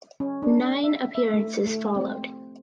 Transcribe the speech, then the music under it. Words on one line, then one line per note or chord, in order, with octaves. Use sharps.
Nine appearances followed.
C#4
D4
E5
E5
A3
A3
C4